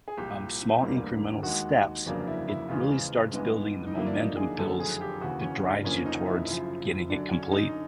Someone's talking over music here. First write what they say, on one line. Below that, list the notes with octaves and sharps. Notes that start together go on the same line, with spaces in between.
um, small incremental steps, it really starts building the momentum builds that drives you towards getting it complete.
G#4
C2 A#2 F3 G4
E1 D2 D3 G3 A#3
D#2 D#3 G#3 F#4
G1 F2 C#3 F#3 A#3 D4
E4
E4
E2 C#3 F3 G#3 F4
G2 E3 G#3 B3
D#4
F2 D3 F#3 A#3 E4
D4
D#4
G#4
F#1 F2 D3 F#3 A3 A4
G#4
G4
D#2 C#3 E3 F#4
C#4
D4
F#1 F2 D3 F3 A#3 C#4
D#4
E4
F#2 C#3 F3
F#2 D3 F#3 D4
C#4
D#4